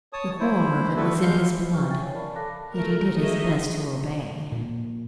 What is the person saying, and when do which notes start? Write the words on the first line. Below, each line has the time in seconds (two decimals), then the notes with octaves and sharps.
The horror of it was in his blood, yet he did his best to obey.
0.13 C#5 A5 D#6
0.40 E4 C5
0.96 G3 A3 B3 F#4 A4 B4
1.22 E2 G#3 F5 G6
1.71 E4 G4 B4 C5 C#6 F6
1.90 E5 G5 G#5 C#6 A6
2.02 C#5 F5 G#5
2.13 A#4 D5 A5 B5
2.35 A4 F5 A5 D6 F#6 A#6
2.75 A3 A#4
3.16 D#4 F#4 G#4 A#4 D#5 E5
4.52 A#2